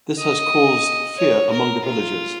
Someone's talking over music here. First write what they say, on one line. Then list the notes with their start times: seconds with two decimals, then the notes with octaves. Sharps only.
This has caused fear among the villagers.
0.19 D#5
1.17 C#5
1.50 A#4
1.84 F4